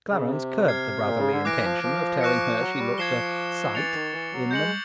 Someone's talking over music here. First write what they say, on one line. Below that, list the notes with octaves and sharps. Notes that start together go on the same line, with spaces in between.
Clarence curbed the brotherly intention of telling her she looked "a sight" in them.
C#3
C3
F6 G#6 C7
A#2
C#3
D3
E3 D6 F#6 A#6 D7
F3
F3
C#6 F#6 A#6 C#7
F#3
G3
F3 G#6 C7 E7 G7
E3 A6 C#7 F7
D#3
E3
F#3
G#3 G6 A#6 C#7 F#7